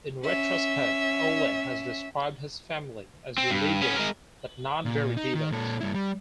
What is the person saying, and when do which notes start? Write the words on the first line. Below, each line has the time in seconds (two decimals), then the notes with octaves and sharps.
In retrospect, Ouellet has described his family as religious but not very devout.
0.24 C#4 E5
3.38 C4
3.51 G2
3.82 B3 C#4
3.96 G#3 A#4
4.85 A#2
5.17 D#4
5.35 D#3
5.51 A#2 A4
5.81 G2 E4
5.95 G3